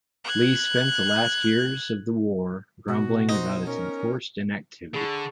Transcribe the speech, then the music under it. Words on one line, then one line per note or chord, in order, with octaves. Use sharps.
Li spent the last years of the war grumbling about his enforced inactivity.
F#6 G#6
B2 F#4
D#4 C5
C#4 A#4
D3 G#4 B5 C#6